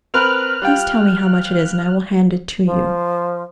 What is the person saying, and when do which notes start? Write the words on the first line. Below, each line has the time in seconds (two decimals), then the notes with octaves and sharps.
Please tell me how much it is and I will hand it to you.
0.14 C4 A#4 B4 F6 F#6
0.62 G3 F4 G5
2.65 F3